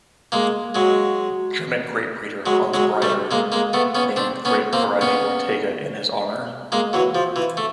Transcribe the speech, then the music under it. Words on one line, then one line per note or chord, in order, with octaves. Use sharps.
German grape breeder Hans Breider named the grape variety Ortega in his honor.
G#3 A#3
F#3 G#3
F#3 G#3
F#3 G#3
G3 A3
G#3 A#3
G#3 A#3
A3 B3
B3 C#4
C4 D4
B3 C#4
A#3 C4
B3 C#4
G#3 A#3
E3 F#3
F3
E3
A3